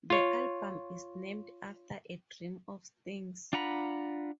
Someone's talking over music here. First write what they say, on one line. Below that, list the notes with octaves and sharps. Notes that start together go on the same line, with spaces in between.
The album is named after a dream of Sting's.
F4 C#5
D4 F4 F#5 A#5 B5